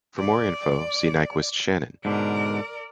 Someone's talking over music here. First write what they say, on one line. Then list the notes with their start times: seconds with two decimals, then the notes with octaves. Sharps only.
For more info see Nyquist - Shannon.
0.19 D5
2.05 G#2 B2 D3 A#4 D5